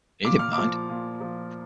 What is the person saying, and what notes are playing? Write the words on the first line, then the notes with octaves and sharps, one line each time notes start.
He didn't mind.
A#2 D6
F6
F3 D6
A#2
F3